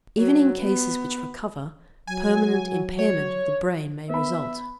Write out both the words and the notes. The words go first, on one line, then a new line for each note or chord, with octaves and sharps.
Even in cases which recover, permanent impairment of the brain may result.
F#3
B3
F#3 G#5
C#5
B3 E5 B5